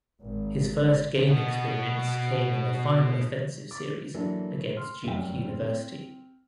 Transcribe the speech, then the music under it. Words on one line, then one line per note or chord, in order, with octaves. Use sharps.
His first game experience came in the final offensive series against Duke University.
G#1
B2 B3
D6 A6
E3 F#3 A#3 D4 A4
C6 F6
F1 F#2 G5
C4